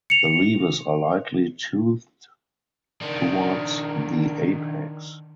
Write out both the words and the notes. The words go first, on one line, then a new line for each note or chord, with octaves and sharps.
The leaves are lightly toothed towards the apex.
C#7 F7
D#3 D4